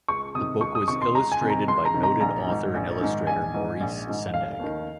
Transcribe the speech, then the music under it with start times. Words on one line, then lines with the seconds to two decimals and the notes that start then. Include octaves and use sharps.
The book was illustrated by noted author and illustrator Maurice Sendak.
0.08 C#2 C#6
0.35 C3 D#3 D#6
0.61 C#2 C#6
0.75 D#6
0.88 C3 D#3 C#6
1.02 C6
1.14 C#2 A#5
1.32 G#5
1.41 C3 D#3
1.50 A#5
1.68 C#2 C6
1.85 A#5
1.94 C3 D#3
2.03 A#5
2.20 A#1 A#5
2.47 G#2 D#3
2.74 A#1
3.01 G#2 D#3
3.27 A#1 G#5
3.54 G#2 D#3
3.81 A#1
4.07 G#2 D#3
4.33 F1 F5
4.60 D#2 D#3